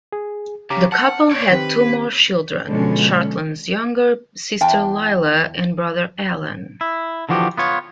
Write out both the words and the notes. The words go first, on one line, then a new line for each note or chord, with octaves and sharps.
The couple had two more children Charlton's younger sister Lilla and brother Alan.
G#4
C#3 G4 A#5 D6
F#5 A5 F6
C#5 D5
D#3 C4 G4 B4
B2 D3 F3 G#3 C#4
E2 G5 A5
E4
D3 E3 F3 F#4 G4
B3 F4 C#5